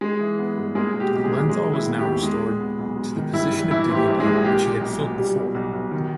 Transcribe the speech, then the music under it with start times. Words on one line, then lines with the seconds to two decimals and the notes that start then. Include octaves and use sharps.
Lenthall was now restored to the position of dignity which he had filled before.
0.01 G#3 G#4
0.20 E3
0.39 B3
0.57 G2
0.75 G#3 A#3 G#4
0.94 B2
1.00 G4
1.13 B1 G4
1.24 G#3 G#4
1.30 B1
1.49 G#3 G#4
1.68 D#3
1.73 E4
1.86 B3
1.99 G4
2.05 D#2
2.13 G4
2.23 G#3 G#4
2.41 A#2
2.60 B3
2.79 B1
2.96 G#3
3.15 D#3
3.33 G2 E4
3.51 G2
3.71 E3 E4
3.89 G#2
3.95 G4
4.08 A#1
4.20 G#3 G#4
4.25 A#1
4.37 G#4
4.44 A#3 G4
4.62 A#2
4.81 B1
5.00 B1
5.18 G3
5.36 B2
5.55 B1
5.73 B1
5.91 D#3